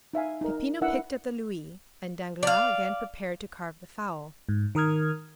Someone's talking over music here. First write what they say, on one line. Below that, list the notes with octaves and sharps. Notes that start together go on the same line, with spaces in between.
Peppino picked up the louis, and Danglars again prepared to carve the fowl.
D#4 E5 F5 G#5
D#4 A#4
D4 E4 A#4 E5 F#5 E6
D5 F5
G#2
D#3 A#4 D#6 F6 G#6